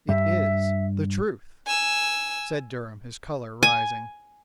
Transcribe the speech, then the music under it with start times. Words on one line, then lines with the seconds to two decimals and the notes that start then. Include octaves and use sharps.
"It is the truth," said Durham, his color rising.
0.09 G2 E5
1.66 G#5 E6
3.63 G#5